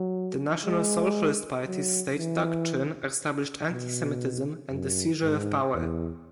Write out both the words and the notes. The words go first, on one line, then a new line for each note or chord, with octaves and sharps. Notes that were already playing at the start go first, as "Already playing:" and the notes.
The National Socialist party's state doctrine established Anti-Semitism and the seizure of power.
Already playing: F#3
G#3
F#3
E3
B2
F#2
G#2
E2